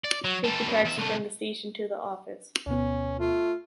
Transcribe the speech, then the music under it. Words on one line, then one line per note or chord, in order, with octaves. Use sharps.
Take a taxi from the station to the office.
D5
F#3
G3 A4
F#2 B2
E2 E5
C2 A3
D2 B2 B3 C#4
A3 F4